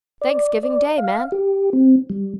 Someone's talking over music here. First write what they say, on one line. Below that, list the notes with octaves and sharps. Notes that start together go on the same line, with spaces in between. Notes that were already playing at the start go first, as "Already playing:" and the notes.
'Thanksgiving Day, man!
D5
D5
F5
G4
C4
G3